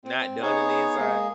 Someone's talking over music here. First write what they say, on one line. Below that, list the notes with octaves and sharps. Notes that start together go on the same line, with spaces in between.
not done in the inside
C4
B3 D#4 G#4 C#5
G#3 A#3 G#4